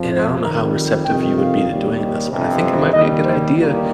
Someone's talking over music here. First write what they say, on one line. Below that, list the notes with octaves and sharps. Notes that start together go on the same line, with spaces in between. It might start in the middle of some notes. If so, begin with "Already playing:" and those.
and I don't know how receptive you would be to doing this, but I think it might be a good idea
Already playing: F2 F3
C5
F2 D#3 G3 A#4
G4
F2 C3 D#3 G5
F5
D#2 D#3 G3
G1 F2 C3
D#2 D#3 G3 D#5
C5
D#2 D#3 G3 A#3